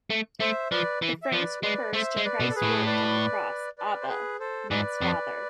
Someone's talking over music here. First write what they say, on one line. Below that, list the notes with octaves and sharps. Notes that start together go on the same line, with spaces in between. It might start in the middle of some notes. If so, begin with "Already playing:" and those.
The phrase refers to Christ's words on the cross: "Abba" means "father".
A3
A3 C5 E5
F3 B4 D5
E3
E5
F3 B4 D5
G#3 B4 D5
A3 C5 E5
G#3
B4 D5
B2
A4
G#4 B4
A2
B4 D5
B4 D5
C5
G#4 B4
A4 C5
G#2 B4 D5
F2